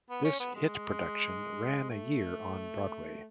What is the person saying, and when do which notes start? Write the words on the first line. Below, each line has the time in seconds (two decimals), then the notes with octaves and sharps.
This hit production ran a year on Broadway.
0.10 B3
0.25 C#4
0.40 B3
0.55 G#3
1.90 A3